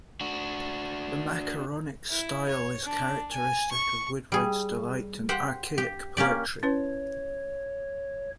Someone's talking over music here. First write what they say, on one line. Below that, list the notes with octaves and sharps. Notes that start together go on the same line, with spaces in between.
The macaronic style is characteristic of Woodward's delight in archaic poetry.
D4 F#4
E4
C#5
D4
G#5
C#6
G3 G#4
G4 C5 F#5 G5
G4
A#3 C#4 G4 D5
C#4 E4 B4 C#5